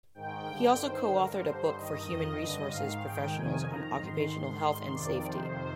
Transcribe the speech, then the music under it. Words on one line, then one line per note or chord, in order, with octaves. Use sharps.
He also co-authored a book for human resources professionals on occupational health and safety.
G#2 D#3 G5
G2 D3 G5
G2 D#3 C5
G2 D3 A#4
G2 D3 C5
G2 D#3 D#5
F2 D#3 D#5
G2 D3 D#5
G#2 D#3 F5
G#2 D#3 G5
F2 C3 D#3 G#5
F2 D#3 A#5
G#2 D#3 C6
G#2 D#3
G#2 D#3 C6
F2 C3 D#3 D5
F2 C3 D#3 C5